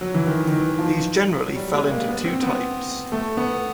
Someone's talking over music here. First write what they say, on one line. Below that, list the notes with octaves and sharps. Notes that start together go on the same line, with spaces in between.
These generally fell into two types.
F#3
E3
D#3
D#3
E3
F3
F#3
G3
G#3
A#3
B3
C4
B3
A3
B3